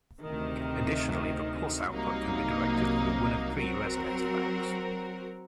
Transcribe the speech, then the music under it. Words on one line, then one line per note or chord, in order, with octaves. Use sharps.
Additionally, the pulse output can be directed through one of three resonator banks.
D2 C3 D#3
C2 C3 F#3 A#3 D#4
F#3 C4 F#4 A#4